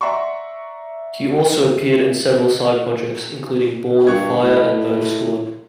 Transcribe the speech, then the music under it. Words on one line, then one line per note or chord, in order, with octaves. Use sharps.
He also appeared in several side-projects, including Born of Fire and Murder Squad.
D5 E5 F#5 A#5 C6 C#6
G2 C#6 F#6 G#6
A2 B4 D#5 B5